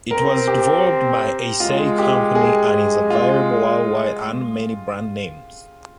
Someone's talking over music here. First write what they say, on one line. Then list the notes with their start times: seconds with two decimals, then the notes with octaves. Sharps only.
It was developed by Eisai Company and is available worldwide under many brand names.
0.11 C4 A#4
0.47 G4
1.60 G#3 F4
1.98 G4
2.35 G#4
3.10 F4